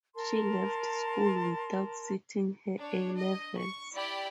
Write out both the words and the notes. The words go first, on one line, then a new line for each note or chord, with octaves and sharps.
She left school without sitting her A levels.
A#4 A5 C6
D4 C#5
D#5
C#6
E4 G4 D5 G5 B5